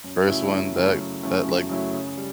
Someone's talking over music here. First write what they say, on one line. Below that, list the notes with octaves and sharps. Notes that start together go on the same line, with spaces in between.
First one that that, like,
F#2
C#3 F#3 A3 E4
F#2
C#3 F#3 A3 E4
F#2
C#3 F#3 A3 E4
F#2
C#3 F#3 A3 E4
C#3
G3